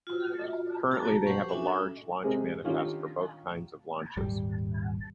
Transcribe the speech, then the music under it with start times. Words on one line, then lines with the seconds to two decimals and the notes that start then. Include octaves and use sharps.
Currently, they have a large launch manifest for both kinds of launches.
0.07 F4 F#4
0.91 F#4 A5 A#5
1.26 C#4 G4 A4 B4 C5 F#5
1.49 C#4 D4 F#4 A4 E5 G#5
2.23 C3 G#3 C4 G4 G#4 A#4
2.64 D3 D#3 C#4 F4 G4
4.17 D#1 G#1 G3